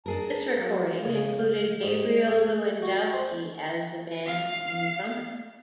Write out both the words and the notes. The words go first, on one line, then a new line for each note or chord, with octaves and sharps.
This recording included Gabriel Lewandowski as the band's new drummer.
D4 G#4 A#4 A5
F#3 A#3
C#3
F5
G#2
G#4
F#4
C5
F5